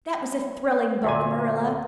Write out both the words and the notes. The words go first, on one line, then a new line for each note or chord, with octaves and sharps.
That was a thrilling book, Marilla.
D2 A#2 G#5